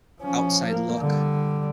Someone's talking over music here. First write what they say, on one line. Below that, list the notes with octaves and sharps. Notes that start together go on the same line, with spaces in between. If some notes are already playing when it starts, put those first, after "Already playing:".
outside look,
F3 C#4
A#3
D3 G3